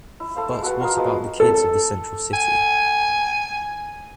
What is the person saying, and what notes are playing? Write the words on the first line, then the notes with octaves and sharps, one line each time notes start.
But what about the kids of the central city?...
E4
A4 C5 F5
G#3
F#4 A4 B4 F#5
F4 A#4 D#5
F3 G#3 B3 F#4
A4
G#5